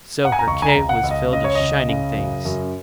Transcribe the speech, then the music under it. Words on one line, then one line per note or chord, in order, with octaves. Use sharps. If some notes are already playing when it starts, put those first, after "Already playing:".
So her cave was filled with shining things.
F#5
G#5
A#5
C#2 C#6
G#5
A#5
C#2
F#5
C#2
D#5
C#3 D#5
C#5
C#2 D#5
C#3
F#2
F#2